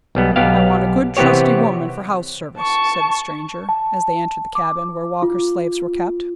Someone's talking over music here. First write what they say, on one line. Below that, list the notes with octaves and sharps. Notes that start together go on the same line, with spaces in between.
"I want a good, trusty woman for house service," said the stranger, as they entered the cabin where Walker's slaves were kept.
B1 G3 B3
B1 B3 G4 F5
C3 E3 B3 C4 G4 C#5
A5 C#6
A5
D6
F4